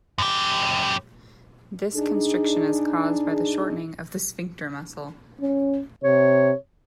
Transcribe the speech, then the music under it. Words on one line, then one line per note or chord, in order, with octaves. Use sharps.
This constriction is caused by the shortening of the sphincter muscle.
F#2 G4
D4 D#4 G#4
C#4
C3 C#5